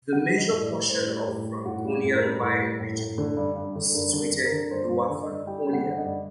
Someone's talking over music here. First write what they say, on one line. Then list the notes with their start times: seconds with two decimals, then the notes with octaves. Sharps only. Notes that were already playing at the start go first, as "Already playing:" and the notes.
The major portion of the Franconian wine region is situated in Lower Franconia.
0.12 G3 F#5
0.31 G3
0.37 D#5
0.51 A2
0.63 D5
0.70 G3
0.89 A2 C5
1.07 G3
1.27 A2 G4
1.46 G3
1.65 A2 F#4
1.85 G3
1.91 G4
2.03 A2
2.16 A#4
2.22 G3
2.42 A2
2.61 G3
2.80 A2
2.99 A2
3.18 D3
3.37 G2
3.56 G2
3.76 D3
3.94 G2 A#4
4.13 D3
4.20 A#4
4.33 D3
4.45 A#4
4.52 D3
4.71 G2 C5
4.90 G2
4.97 D5
5.10 D3
5.22 D#5
5.28 G2
5.47 G3 G5
5.67 G3
5.73 F#5
5.85 D3
5.93 F#5
5.98 D#5
6.04 G2